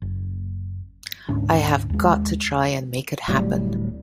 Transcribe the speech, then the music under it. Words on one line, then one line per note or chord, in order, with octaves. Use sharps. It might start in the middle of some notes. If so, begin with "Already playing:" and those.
I have got to try and make it happen.
F#1
D2 G#2 C#4 D4
D#2 G#3
D1 A2 F#3 G3